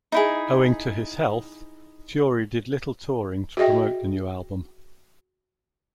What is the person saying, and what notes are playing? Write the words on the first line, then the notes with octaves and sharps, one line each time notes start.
Owing to his health, Fury did little touring to promote the new album.
D#4 E4 G#4
F#4 G#4 D#5 E5 G5